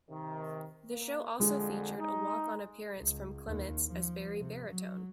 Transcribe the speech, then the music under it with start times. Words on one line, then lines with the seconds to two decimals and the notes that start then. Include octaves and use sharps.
The show also featured a walk on appearance from Clements as Benny Baritone.
0.10 C3 D#3
0.92 A#3
1.40 F2 D3 G#3
1.99 D#4
2.99 C#2
3.47 D#2
3.86 F3
4.40 C3
4.69 F#3